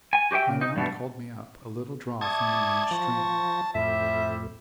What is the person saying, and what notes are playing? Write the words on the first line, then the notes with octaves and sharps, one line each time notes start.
My route called me up a little draw from the main stream.
G#5
F#4 G4 C5 E5 G5
C#3
D#4
G2 B2 A3
G4 D5 E5 A5 C#6 D#6 G#6
F3 C5 C#6 A#6
F2 A2 G3 E4 C5 E5